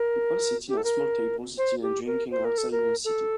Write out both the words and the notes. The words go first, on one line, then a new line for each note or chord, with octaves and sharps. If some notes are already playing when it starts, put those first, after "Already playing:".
People sitting at small tables eating and drinking outside in a city.
Already playing: A#4
G4
A4
A#4
C5
G4
A#4
C5
A#4
A4
A#4
A4